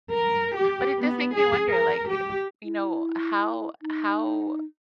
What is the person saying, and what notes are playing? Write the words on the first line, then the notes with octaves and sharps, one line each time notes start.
But it does make me wonder, like, you know, how how
A#4
G4
B3
G#4
A#4
G4
E4
D#4